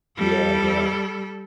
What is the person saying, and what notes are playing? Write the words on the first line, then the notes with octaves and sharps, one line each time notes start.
Yeah, yeah.
G3 A4